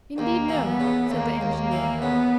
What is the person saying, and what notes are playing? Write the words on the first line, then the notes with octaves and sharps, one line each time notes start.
'Indeed, no,' said the engineer.
D#2 A#3
E3
B3
C#3
D#2 A#3
D#2
A#3
E3
C#3 B3